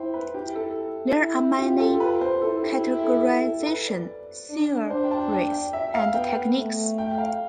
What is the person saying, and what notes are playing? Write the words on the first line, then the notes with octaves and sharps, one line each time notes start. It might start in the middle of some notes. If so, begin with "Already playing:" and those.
There are many categorization theories and techniques.
Already playing: E4 C5 G5
B4
E4 G4
A4
E4
F4 G4
A4
B4
C5
E4 A4
G4
G4
A4
A4
A4
B4
D5
D4
D4 C5
G5
A5
G5
G5
E5
F5
B3 G5
A3
G5
F5